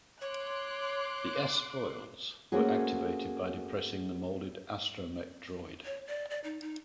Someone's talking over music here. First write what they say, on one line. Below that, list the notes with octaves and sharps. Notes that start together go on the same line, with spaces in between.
The "s-foils" were activated by depressing the molded astromech droid.
C#5 C6 D6 F#6
A3 A#3 C4 C#4 F#4 G#4
C#5
D5
D5
D#4
D#4